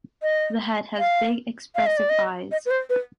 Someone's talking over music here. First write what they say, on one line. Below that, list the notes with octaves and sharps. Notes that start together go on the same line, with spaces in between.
The head has big expressive eyes.
D#5
F5
F5
D#5
D5
D#5
D#5
B4
C5
B4